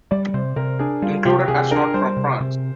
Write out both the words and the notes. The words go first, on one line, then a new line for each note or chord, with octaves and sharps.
Included astronaut from France.
G3 D5
C3 C5
C3 A#4
D4 G#4
G3 F4
C3 G4
C3 G#4
D4 A#4
G3 C5
C3
C3